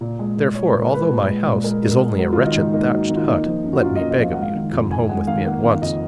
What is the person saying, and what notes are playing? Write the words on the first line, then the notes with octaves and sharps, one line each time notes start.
Therefore, although my house is only a wretched thatched hut, let me beg of you to come home with me at once.
A#2
G#3
A#2
G#3 C#5
A#2 B4
A#4
G#3 B4
A#2
G#3
A#2
G#3 A#4
A#2
A#4
G#3
F#3 A#4
F4
D#3
D#4
G#2 D#4
A#3 D#4
F#3
D#3
F4
A#3 D#4
F3
F#2
F#4
F#2 F4
A#3 D#5
D#5
F3 F5
F#5
G#3
F5
D#3
F2
F2 G#5
G#3 F#5
D#3 F5
A#3 F#5
D#3 F5
F2 D#5